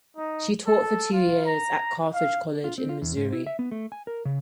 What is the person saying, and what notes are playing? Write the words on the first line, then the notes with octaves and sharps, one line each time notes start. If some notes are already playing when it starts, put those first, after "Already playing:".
She taught for two years at Carthage College in Missouri.
D#4
A4
F4
A#5
F5
F4
C4
F4
E2
G#2
E4
E5
B3
A3
G#5
A#4
C#3